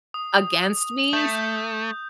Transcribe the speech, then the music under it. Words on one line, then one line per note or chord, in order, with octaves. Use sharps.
against me s
D#6
A3 G6